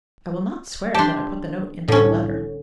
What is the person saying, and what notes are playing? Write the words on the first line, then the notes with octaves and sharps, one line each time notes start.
"I will not swear that I put the note into the letter."
D4 G4 A5 C6
C2 A2 D3 C#4